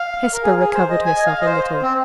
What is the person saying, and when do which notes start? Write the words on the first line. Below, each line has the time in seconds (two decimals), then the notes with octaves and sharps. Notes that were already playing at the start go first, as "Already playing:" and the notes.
Hesper recovered herself a little.
Already playing: F5
0.33 A#4
0.43 G#4
0.59 G#4
0.74 C5
0.90 D#5
1.06 G#5
1.17 D#5
1.26 F5
1.41 D#5
1.46 C5
1.82 C4